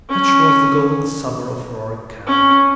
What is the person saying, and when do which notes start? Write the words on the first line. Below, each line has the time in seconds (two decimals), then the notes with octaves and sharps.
Such was the golden summer of Roaring Camp.
0.09 C#4
2.27 C#4